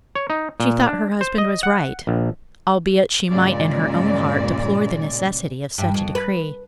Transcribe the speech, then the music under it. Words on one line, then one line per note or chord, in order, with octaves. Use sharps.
She thought her husband was right, albeit she might in her own heart deplore the necessity of such a decree.
C#5
D#4
A#2
D4
C5
D#5
F#5
A#1
G2 A#2 C#3 G#3 D5
G2
F2
B4